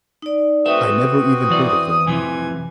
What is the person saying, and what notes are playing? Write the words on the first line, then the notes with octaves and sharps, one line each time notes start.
I never even heard of them.
D#4 D5
C4 F#4 A4 B4 E5 D#6
E3 D5
F2 C3 E3 G#5